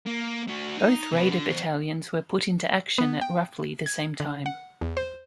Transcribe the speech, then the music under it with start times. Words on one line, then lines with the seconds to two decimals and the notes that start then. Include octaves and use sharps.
Both Raider battalions were put into action at roughly the same time.
0.07 A#3
0.48 A3 F#4
0.77 D#4
1.12 C3 B4
1.30 D3
1.49 E2 C5
2.98 B3
3.21 G5
3.86 G#6
4.20 D3
4.46 F#5
4.81 E2
4.97 C5